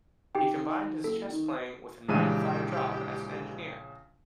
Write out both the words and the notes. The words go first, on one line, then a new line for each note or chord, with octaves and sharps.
He combined his chess playing with a nine to five job as an engineer.
D#3 G4 G5
F#1 A4
D#3
A#1 C#3 E3 G#3 D4 G4 D#7